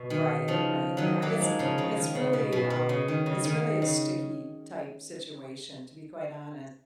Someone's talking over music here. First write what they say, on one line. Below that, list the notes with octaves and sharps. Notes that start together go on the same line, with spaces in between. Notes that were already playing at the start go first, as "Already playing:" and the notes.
Right, right. Yeah, it's it's really um, it's really a sticky-type situation, to be quite honest.
Already playing: B2
D#3
C#3 F3
D#3 F#3
F#3 A#3
F3 G#3
C#3 F3
C#3 F3
D#3
C#3
B2
B2
B2
C#3
D#3
C#3
D#3
C#3